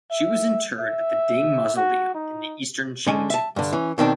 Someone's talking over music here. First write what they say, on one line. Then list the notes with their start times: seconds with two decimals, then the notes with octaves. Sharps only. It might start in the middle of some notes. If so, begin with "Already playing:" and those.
She was interred at the Ding Mausoleum in the Eastern Qing tombs.
0.11 E5
0.80 E5
1.77 F#4
2.14 D#4
3.07 D3 G#3 C#4
3.30 E5 A5
3.56 G2 D3
3.73 E3 C#4
3.98 B2 D#3 C4 D4